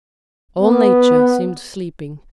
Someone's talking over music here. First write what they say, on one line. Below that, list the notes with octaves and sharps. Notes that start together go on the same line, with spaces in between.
All nature seemed sleeping.
B3